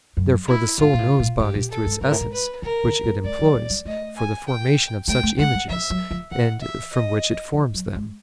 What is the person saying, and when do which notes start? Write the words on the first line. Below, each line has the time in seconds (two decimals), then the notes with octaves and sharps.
Therefore the soul knows bodies through its essence, which it employs for the formation of such images, and from which it forms them.
0.17 F#2
0.47 E4
0.78 G#2 F4
0.94 A#2
0.99 A2
1.19 A#2
1.40 G#2 G4
1.55 A#2
1.71 A4
1.86 G#2
2.01 G#2 A#4
2.11 A2
2.21 G#2
2.32 B4
2.62 C#3 A#4
2.83 D3
3.03 G#3
3.24 G#3 D5
3.39 F#3
3.55 G3
3.70 G3
3.85 A3 D#5
4.16 G#5
4.47 G5
5.08 A3 G5
5.23 A3
5.38 G#3 F#5
5.54 G3
5.70 F3 E5
5.90 F#3
6.11 F3
6.30 E3 F#5
6.62 E5
6.92 D#5
7.53 F3
7.74 F#3
7.95 G#3